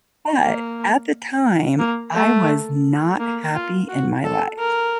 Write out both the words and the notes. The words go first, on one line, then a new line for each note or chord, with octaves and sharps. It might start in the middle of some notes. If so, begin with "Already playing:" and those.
But, at the time, I was not happy in my life,
A#3
A#3
A3
A#3
F4
F#4
A4
A#4